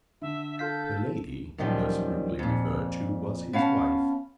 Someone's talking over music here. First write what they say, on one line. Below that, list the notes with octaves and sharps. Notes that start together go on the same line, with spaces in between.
The lady, thus rudely referred to, was his wife.
D3 E5
F4 A4 F5 G6 B6
F#2 A#2 D#3 F3 G3
F2 A#2
B3 C#4 F5 A5